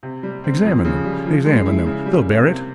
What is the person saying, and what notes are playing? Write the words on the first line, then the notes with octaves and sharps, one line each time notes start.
Examine them--examine them--they'll bear it.
C3
G3
C4
F2
C#3
G3
F3
G#3
E4
C#3
G3
A#3
C3